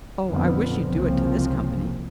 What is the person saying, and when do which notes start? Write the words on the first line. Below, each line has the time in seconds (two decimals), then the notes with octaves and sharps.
"Oh, I wish you'd do it to this company."
0.28 F2 A#2 D3 F3 B3
0.84 C2 C#3 F3 A#3 C4